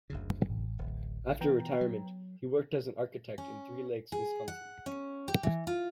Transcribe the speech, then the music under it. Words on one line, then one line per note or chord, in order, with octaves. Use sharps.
After retirement he worked as an architect in Three Lakes, Wisconsin.
F#1 D2 C#3
A1
D1
E3 B3 G5 A#5
F#3
C#4
G#4
F#5
C#4
G4
E3
F4